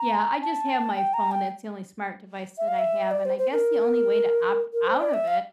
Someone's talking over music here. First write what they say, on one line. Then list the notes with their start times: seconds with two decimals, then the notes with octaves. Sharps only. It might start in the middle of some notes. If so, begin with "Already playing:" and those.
Yeah, I just have my phone, that's the only smart device that I have, and I guess the only way to opt out of it
Already playing: A#5
0.42 A5
0.97 G5
1.14 A#5
1.31 G5
2.58 E5
2.68 F5
2.79 E5
3.11 D5
3.25 C5
3.38 C5
3.52 A#4
4.73 A#4
4.87 C5
5.00 D5
5.14 E5
5.28 F5